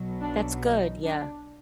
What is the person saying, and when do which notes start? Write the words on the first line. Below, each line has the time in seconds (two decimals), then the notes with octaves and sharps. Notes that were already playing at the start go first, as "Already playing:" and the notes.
That's good. Yeah.
Already playing: B1 B2 F#3
0.21 D4
0.62 D#4
1.03 D4